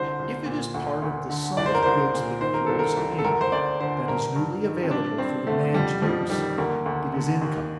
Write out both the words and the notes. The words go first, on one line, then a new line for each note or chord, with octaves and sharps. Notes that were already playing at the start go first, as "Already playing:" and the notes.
If it is part of the sum of goods that flows in, that is newly available for the man's use, it is income.
Already playing: C2 D3 C5
C2
A#2
D2
D2
D3
C2 D5
C5
A#4
C2 C5
A#2
D#3 C5
A#4
C2 A4
A#4
C2
A4
D2 A#4
C5
D2 D5
D3 C5
G2 A#4
G2
D#3
C4
G2 D4
G2 C4
D3 A3
F2 G3
F2 F3
D#3 G3
D2 A#3
D2
D3
D#2